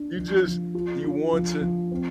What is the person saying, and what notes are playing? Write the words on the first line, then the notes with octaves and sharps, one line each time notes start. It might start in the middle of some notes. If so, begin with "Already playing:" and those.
you just, you want to
Already playing: D4
F3
F3
F4
D4
F3
F3
C4